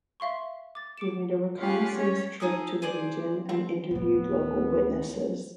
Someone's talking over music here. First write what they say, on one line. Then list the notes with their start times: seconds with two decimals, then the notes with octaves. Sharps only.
He made a reconnaissance trip to the region, and interviewed local witnesses.
0.20 E5 F5 C6 C#6
0.75 D6 A6
0.98 D6 C#7 D7 E7
1.57 C#4 F4 G4 F5 F#5 G#5
1.94 G3 C#4 C#5
2.40 D#4 G#4 A4 D#6
2.82 G#4 C5 D5
3.49 C4
3.91 D1 B3 C4